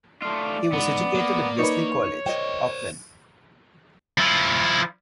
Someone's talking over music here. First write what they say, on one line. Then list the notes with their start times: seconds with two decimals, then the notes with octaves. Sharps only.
He was educated at Wesley College, Auckland.
0.22 A3 F4 D5
0.73 G#3 B3 D#4
1.15 A#3
1.59 D#4 A#4 B4 C#5
2.26 C5 D5 D#5 G5
4.18 F3 E4